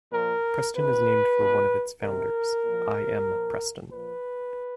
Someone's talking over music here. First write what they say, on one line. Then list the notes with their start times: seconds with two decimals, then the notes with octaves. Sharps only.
Preston is named for one of its founders, I. M. Preston.
0.12 A#2 F3 A#4
0.76 C3 D#3 B4
1.39 B2
2.01 C3 D#3 A#4
2.64 A#2 F3
3.28 A#2 F3
3.91 A#2 F3 B4